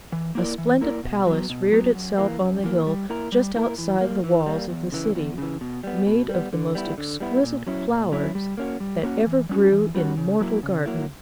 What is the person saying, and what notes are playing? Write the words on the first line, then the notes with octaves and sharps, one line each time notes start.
A splendid palace reared itself on the hill just outside the walls of the city, made of the most exquisite flowers that ever grew in mortal garden.
E3
A#3 E4 A#4 D5
E3
A#3 E4 A#4 D5
B2
F#3 B3
B2
F#3 B3
F#2
E3 A#3
F#2
E3 A#3
G3
A#3 E4 A#4
G3
A#3 E4 A#4
E3
G3 A#3
E3
G3 A#3
E2
C#3 E3
E2
C#3 E3
B2
G3 B3
B2
G3 B3
D3
G3 B3 E4
D3
G3 B3 E4
A#2
F#3 C#4 E4
A#2
F#3 C#4 E4
G3
A#3 C#4 F#4
G3
A#3 C#4 F#4
E3
G3 C#4 F#4
E3
G3 C#4 F#4
C#3
F#3 A#3 E4
C#3
F#3 A#3 E4